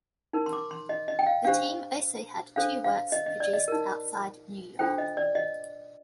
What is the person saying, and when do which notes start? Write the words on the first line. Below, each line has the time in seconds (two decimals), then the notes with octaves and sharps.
The team also had two works produced outside New York.
0.33 D#4 A#4
0.46 C6
0.53 D6
0.71 C6
0.89 D#5
1.08 D#5
1.19 G5
1.27 F5
1.45 D4 G4 C5 F5
2.56 D4 A4 C5 F5
2.84 F5
3.12 D#5
3.26 D#5
3.40 D5
3.53 D#5
3.68 D#4 A#4
4.79 D4 F4 A4 C5 G5
4.98 D#5
5.17 D5
5.35 D#5